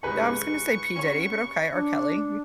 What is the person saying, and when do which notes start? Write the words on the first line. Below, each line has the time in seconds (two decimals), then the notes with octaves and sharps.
I was gonna say P Diddy, but okay, R. Kelly.
0.03 G#2 C#3 B4 G#5 B5 C#6
0.96 C#4 C#5
1.73 D4